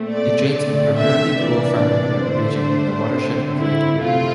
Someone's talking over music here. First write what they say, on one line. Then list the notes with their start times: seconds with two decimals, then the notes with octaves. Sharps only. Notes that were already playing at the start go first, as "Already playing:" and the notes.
It drains a primarily rural farming region in the watershed of Lake Erie.
Already playing: A#2 A3 C4
0.10 D5
0.53 D3 A3 C4 D5
0.97 E5
1.40 C3 E3 A#3 D4 D5
2.27 D3 A3 D4 C5
3.14 D3 A3 C4
3.57 E4
4.01 C3 F3 A3 C4 F4